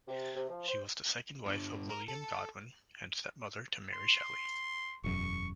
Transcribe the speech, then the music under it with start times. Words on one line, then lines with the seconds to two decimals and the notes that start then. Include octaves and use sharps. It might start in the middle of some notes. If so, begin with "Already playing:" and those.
She was the second wife of William Godwin and stepmother to Mary Shelley.
0.08 C3
0.36 C3
0.50 F3
0.68 C5
1.46 G2 D3
1.90 A#4
2.08 A4
3.94 C6
5.04 E1 F#2 C#6